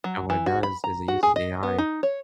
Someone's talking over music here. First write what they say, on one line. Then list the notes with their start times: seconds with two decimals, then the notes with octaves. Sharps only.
and what it does is it uses AI
0.04 F#3
0.30 E3
0.46 F#4
0.63 B5
0.84 A#5
1.08 F#4
1.23 G#4
1.36 D#5
1.63 B3
1.78 D#4
2.03 C#5